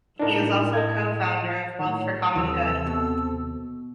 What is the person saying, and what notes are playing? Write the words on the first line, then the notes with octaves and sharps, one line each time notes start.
He is also co-founder of Wealth for Common Good.
A2 D4 D#4 A#4
D#5 G#6
A#1 A2 D#3 C#5
D#2 C3 E3 C4 A4 E6
B2